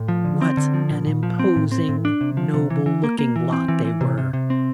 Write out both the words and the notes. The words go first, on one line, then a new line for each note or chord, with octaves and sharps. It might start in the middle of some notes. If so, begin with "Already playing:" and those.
What an imposing, noble looking lot they were.
Already playing: A2
F3
D3
C4
D3
F3
A#2
A#2
F3
C4
A2
C4
A2
D4
C3
F3
C3
E3
E3
A#3
A#3
E3
C4
E3
E3
C3
C3
C3
C4